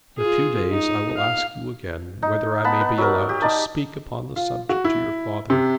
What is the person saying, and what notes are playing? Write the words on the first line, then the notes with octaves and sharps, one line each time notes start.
In a few days I will ask you again whether I may be allowed to speak upon the subject to your father.
F4 G#4
D#4
F5
D#4
B3 F#5 A5 B5
B4
F#3 A#4
G4
D#4 D5 A5
F4
F#4
E4
C3